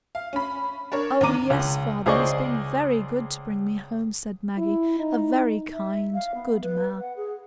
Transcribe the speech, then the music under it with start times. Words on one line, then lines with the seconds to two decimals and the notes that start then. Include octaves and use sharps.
"Oh yes, father, he's been very good to bring me home," said Maggie,--"a very kind, good man!"
0.15 F5
0.33 C#4 B5
0.92 D4 A#4 C#5
1.21 D#2 C#4 D4 A#5 D6 D#7
1.50 C#2
2.06 C#2 G#4 C5 D5 D#5 C#6
4.58 E4
4.99 D#4
5.73 E5
6.14 F5
6.34 B3
6.62 B4
7.00 F#5
7.16 G#4